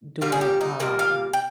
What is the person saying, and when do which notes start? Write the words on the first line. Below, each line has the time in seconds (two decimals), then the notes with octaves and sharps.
doing, uh
0.21 A#2 G3 A#3 F4
0.32 G#4
0.41 G4
0.61 D#4
0.80 A#2 G3 A#3 A#4
0.99 F5
1.33 G5